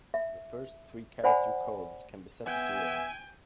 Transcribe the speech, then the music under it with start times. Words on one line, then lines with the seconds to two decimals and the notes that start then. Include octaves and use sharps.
The first three character codes can be set to zero.
0.14 E5
1.24 C5 D5 F#5 G#5 B5
2.46 B3 E5 G5 G#5